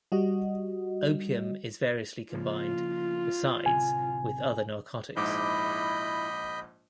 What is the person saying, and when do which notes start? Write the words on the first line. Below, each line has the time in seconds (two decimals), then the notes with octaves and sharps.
Opium is variously combined, besides, with other narcotics.
0.12 G3 F#4 D#5
2.34 C#3 F3 A#3 F4
3.66 D1 C3 G#5
5.16 A#1 G#2 E4 D#5 B5 D6 G6